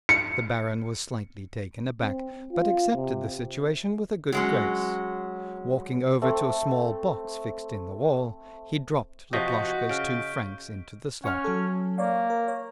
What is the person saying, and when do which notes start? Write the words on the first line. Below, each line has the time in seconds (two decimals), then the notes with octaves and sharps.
The Baron was slightly taken aback, but accepted the situation with a good grace. Walking over to a small box fixed in the wall, he dropped Laploshka's two francs into the slot.
0.09 C#7
2.02 C4
2.53 F4
2.95 C3
4.32 F#3 G#3 C#4
6.22 A3 C4
9.33 C3 F3 F#4 D#5 C#6 G6 B6
9.89 C#3 F6 D7
11.24 C#4 F#5 C#6 F6
11.44 F#3 A4
11.98 A#3 C#5 D5 F5
12.30 A#4
12.48 C#5